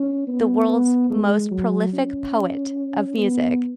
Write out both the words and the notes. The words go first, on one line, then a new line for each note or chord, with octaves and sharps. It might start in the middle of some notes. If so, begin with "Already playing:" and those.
the world's most prolific poet of music,
Already playing: C#4
B3
B3
G#3
F#3
C#4
B3